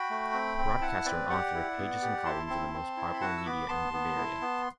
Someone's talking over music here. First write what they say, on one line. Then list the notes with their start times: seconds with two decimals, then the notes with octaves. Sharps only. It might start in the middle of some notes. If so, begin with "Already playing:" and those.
Broadcaster and author of pages and columns in the most popular media in Bulgaria.
Already playing: F#4 G5 B5
0.10 A3
0.34 C4
0.59 C4
0.81 E4 F#5 A5
1.05 C4 B4 D5
1.30 G4 D5 F#5
1.54 E4
1.78 B3
2.02 G4
2.25 E4 A5 C6
2.50 C4
2.74 C4
2.97 E4
3.14 B5
3.21 F#4 F#5 A5
3.37 E6
3.45 B3 B5 D6
3.69 B3 A5 C6
3.93 B3
4.17 E4
4.41 B3